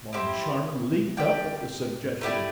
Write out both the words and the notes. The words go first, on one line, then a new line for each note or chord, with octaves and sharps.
Moncharmin leaped up at the suggestion.
C4 E4 G4 C5
G4 D5 G5
A3 E4 G4 D5